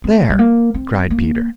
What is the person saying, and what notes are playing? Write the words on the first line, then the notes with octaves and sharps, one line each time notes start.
"There!" cried Peter.
C4
A#3
G#3
G3
A#3
C4
A#3